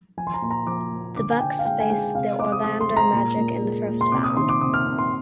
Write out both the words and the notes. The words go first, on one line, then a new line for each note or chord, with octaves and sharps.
The Bucks faced the Orlando Magic in the First Found.
F3 G#5
C6
A#5
A#2 C6
A#5
F3 D6
A#3
D3 D6
G#5
D3 G5
F5
G#3 G5
G#5
G#3 G5
C3 F5
G#3 D6
D#6
G#3 D#6
C6
G#3
A#5
A#2
A#2
G#3
A#2
C6
C3 D6
D#6
D#3 C6
D6
C3 D#6
F6
C3
C6